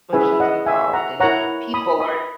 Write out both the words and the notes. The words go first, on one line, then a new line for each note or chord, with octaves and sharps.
promotions involved, and people are
C#4 E4 G#4 B4 E5 G#5
D#5 F#5
E5 G#5
F#5 A#5
E4 A#4 C#5 F#5 A#5
B5 D#6
B5 D#6